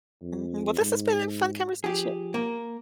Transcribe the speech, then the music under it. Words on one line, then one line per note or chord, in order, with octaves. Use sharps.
Mhm, well, this has been a fun conversation,
F2
G#2
F3 G4 G#4
A#3